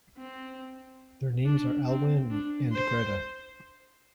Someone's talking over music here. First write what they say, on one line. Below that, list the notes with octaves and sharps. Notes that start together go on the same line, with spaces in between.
Their names are Alwan and Greta.
C4
D4
C4
D4
C5